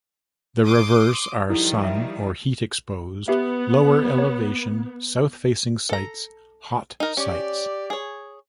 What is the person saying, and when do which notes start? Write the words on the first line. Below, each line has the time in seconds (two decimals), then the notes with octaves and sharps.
The reverse are sun- or heat-exposed, lower-elevation, south-facing sites: "hot sites".
0.63 C6 D6 D#6
1.50 D#3 F3 G3 E4 A4 D5
1.83 E5
3.28 B3 G4 E5
4.18 C#5
5.89 A4 A#5
7.00 D#4 A#4
7.17 C#4 G4 D5
7.90 G#4 C#5